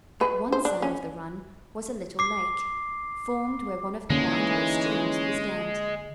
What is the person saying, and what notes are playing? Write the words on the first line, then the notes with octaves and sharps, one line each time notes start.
At one side of the run was a little lake, formed where one of the boundary streams was dammed.
B4
C5
D4
C#4
D6 C7
D3 E3 G#3 A#3 C#4 D#4